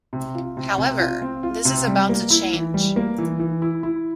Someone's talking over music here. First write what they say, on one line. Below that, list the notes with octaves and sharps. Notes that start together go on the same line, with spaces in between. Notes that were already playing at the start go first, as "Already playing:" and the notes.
However, this is about to change.
C3
F4
C3
C3
F4
C4
F4
C3
G3
A#3
E4
E3
G3
A#3
E3
E3
E4
E4